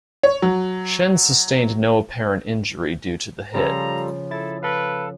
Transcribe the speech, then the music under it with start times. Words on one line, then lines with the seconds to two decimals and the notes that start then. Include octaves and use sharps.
Schenn sustained no apparent injury due to the hit.
0.23 C#5
0.42 F#3
3.54 C#3 F3 G3 F4 A4 A#5
4.31 E4 A4 A6
4.63 A4 B4 F5